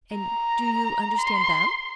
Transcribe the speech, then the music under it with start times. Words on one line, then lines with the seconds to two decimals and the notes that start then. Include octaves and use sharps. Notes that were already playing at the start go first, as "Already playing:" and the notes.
"And do you understand them?"
0.14 A#5
1.18 C6